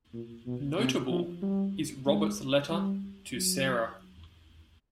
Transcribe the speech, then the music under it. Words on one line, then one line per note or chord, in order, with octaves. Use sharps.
Notable is Robert's letter to Sarah.
A#2
B2
C3
F3
G3
G#3
G3
F#3